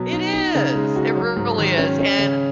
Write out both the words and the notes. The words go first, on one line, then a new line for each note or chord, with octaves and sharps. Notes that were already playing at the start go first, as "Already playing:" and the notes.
It is, it really is, and
Already playing: B2 F#3 B3
D#4
D#4
C#3
G#3
F#4
F#3
G#2
D#3
C#4
C#4
C#3